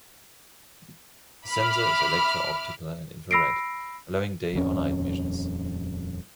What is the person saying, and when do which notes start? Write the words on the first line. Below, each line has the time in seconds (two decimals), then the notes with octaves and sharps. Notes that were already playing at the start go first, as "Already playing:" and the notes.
The sensor is electro-optical and infrared, allowing day or night missions.
1.47 E5 B5 D6 F6
3.31 B5 E6 A#6 C7 D7
4.53 D#1 F2 C#4